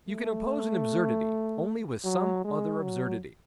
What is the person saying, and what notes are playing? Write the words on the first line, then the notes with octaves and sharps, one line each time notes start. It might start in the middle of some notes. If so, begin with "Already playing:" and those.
You can oppose an absurdity only with some other absurdity.
A3
F#3
G#3
F#3